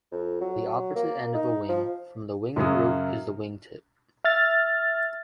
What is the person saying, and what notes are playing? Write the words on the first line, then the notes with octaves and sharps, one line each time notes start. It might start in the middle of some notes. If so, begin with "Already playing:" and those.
The opposite end of a wing from the wing root is the wing tip.
F2
F#3
A#3
D#4
F3
F#2 C#3 F#3 D#6
E5 F6 A6